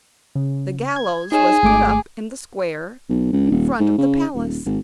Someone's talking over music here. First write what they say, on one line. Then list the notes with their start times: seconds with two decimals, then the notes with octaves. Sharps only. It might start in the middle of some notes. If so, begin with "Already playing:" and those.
The gallows was put up in the square in front of the palace.
0.35 C#3
0.96 G#6
1.32 D#4 G#4 C#5 E7
1.63 G#1 A3 D6
3.09 B1
3.33 C#2
3.51 D#1
3.80 G#2
3.98 C#3
4.35 D#1
4.66 G#1